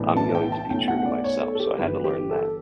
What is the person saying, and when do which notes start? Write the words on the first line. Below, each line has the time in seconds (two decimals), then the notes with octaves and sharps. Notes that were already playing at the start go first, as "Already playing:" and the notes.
I'm going to be true to myself, so I had to learn that.
Already playing: B1 A2 E3 B3 D4
0.17 A5
0.35 G5
0.52 A5
0.70 B1 B2 A3 C#4 G5
0.88 F#5
1.06 D5
1.24 C#5
1.42 A4
1.55 A4
1.60 G4
1.77 G1 G2 E3 G3 B4
2.04 G4
2.31 A4